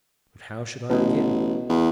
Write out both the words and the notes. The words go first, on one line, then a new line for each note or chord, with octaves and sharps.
But how should I begin?
A1 B2
E2